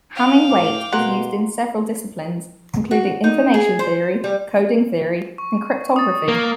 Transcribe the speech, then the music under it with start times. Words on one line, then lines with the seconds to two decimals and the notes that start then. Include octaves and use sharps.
Hamming weight is used in several disciplines including information theory, coding theory, and cryptography.
0.16 F5 G5
0.51 A2 D6
0.92 B2 A#3 F#5 C6
2.91 F#4
3.24 D#4
3.54 G#4
3.79 C5
4.24 G3
5.38 C#6
5.96 D#6 A6
6.28 A#3